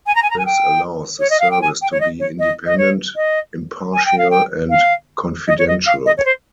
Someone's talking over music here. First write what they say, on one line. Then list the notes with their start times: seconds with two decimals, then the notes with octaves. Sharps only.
This allows the service to be independent, impartial and confidential.
0.06 G#5
0.15 A#5
0.23 G#5
0.30 A#5
0.38 G#5
0.46 G5
1.19 C#5
1.30 D#5
1.40 F5
1.51 G5
1.61 G#5
1.81 G5
1.92 C#5
2.00 D#5
2.20 C#5
2.39 D#5
2.66 D#5
2.78 C#5
3.16 D#5
3.93 G#5
4.06 G5
4.18 F5
4.30 G5
4.70 F5
5.48 D#5
5.59 C#5
5.68 D#5
5.86 F5
6.06 D#5
6.17 C#5
6.25 C5